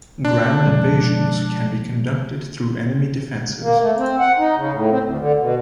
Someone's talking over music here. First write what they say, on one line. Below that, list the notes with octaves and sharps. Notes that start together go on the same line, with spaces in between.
Ground invasions can be conducted through enemy defenses.
D4
B2 F3 G#3
A#3
A3
C4
F#5
D#4
C#3
A2
C4
D2
D3
B2